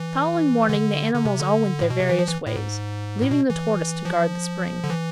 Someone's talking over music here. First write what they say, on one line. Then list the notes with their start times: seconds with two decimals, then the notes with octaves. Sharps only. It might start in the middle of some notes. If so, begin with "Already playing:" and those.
The following morning the animals all went their various ways, leaving the tortoise to guard the spring.
Already playing: E3
0.69 D3
1.14 D3
1.25 C3
1.39 D3
1.81 A2
1.90 B2
2.00 C3
2.09 E3
2.19 F3
2.28 E3
2.46 A2
2.56 G#2
3.22 A2
3.31 B2
3.50 E3
4.05 F3
4.84 D3
4.90 E3